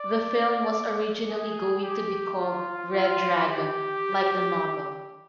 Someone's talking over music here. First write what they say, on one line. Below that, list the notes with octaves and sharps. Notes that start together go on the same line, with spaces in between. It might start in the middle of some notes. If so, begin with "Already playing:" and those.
The film was originally going to be called "Red Dragon", like the novel.
Already playing: D5
G#4
G4
F4
F4
G4